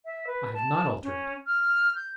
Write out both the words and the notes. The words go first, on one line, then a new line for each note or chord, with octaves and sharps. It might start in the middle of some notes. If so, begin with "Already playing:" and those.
"I have not altered it."
E5
B4
A5
C#4
F6
G6